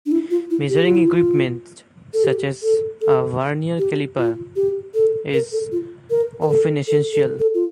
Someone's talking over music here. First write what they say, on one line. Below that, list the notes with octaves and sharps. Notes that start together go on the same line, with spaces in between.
Measuring equipment such as a Vernier caliper is often essential.
D4
E4
F4
E4
G4
F4
E4
F4
A4
G4
A4
A4
G4
F4
G4
A4
A#4
A4
F4
A#4
A#4
A4
A4
A4
A4
F4